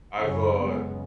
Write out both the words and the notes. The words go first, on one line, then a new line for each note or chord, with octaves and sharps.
I've, uh
F#2 C#3 F#3 C#4
F#2 C#3 G#3 B3